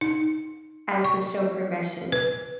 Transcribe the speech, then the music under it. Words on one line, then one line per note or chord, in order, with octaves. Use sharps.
as the show progreshe
D#4
C#6
B4